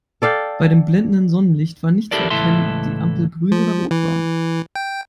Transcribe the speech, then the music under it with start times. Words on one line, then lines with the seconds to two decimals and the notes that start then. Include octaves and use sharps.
Bei dem blendenden Sonnenlicht war nicht zu erkennen, ob die Ampel grün oder rot war.
0.22 A4 D5 F5 G5
2.11 E4 G4 A4 A#4 D5
2.30 C#2 A2 E3 A4 E5 C6
3.52 F3
3.91 E3
4.75 G5